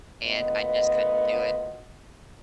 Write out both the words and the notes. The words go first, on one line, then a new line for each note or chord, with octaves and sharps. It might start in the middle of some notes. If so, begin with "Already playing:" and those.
and I just couldn't do it,
D2 A#2 B3 D#5